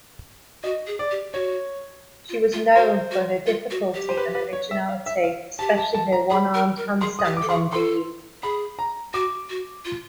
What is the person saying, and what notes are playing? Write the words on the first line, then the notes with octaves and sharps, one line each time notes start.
She was known for her difficulty and originality, especially her one-armed handstands on beam.
F#4 D#5
G#4
D5
G4
F#4 C#5
F4
F4
F#4 C5
F#4
F4
F#4
G4
C5
B4
B4
C#5
E5
F5
E5
F5
G4 A5
A5
A5
A#5
G#4 B5
A#4
A#4
G#4 C6
D#6
G4
D6
A4
G#4 C6
C#6
A4 C6
G#4 B5
A#5
F#4 D6
F#4
F4